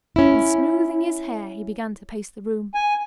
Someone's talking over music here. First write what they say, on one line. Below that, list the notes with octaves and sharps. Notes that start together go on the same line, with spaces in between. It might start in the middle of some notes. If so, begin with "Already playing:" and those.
And smoothing his hair he began to pace the room.
C#4 E4
G#5